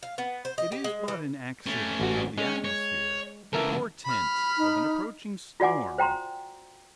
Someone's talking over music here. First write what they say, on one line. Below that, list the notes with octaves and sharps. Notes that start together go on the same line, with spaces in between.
It is but an accident of the atmosphere--the portent of an approaching storm.
F5
B3
C5
D#5
G4
G#3
E3
A3 C#4
A1 F#4
G#3 C#4
C#5
C#2 E3 A4 A#4 E5
B5 F6
D#4
F4 F#4 D5 F#5 G#5 D6
C5 G5 A#5 C6